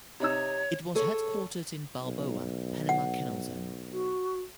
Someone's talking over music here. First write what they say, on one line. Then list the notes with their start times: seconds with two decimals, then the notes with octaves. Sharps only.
It was headquartered in Balboa, Panama Canal Zone.
0.20 C3 D#4 C#5 E6
0.95 G#4 A4 C#5
2.02 B1
2.89 F#5
3.91 F#4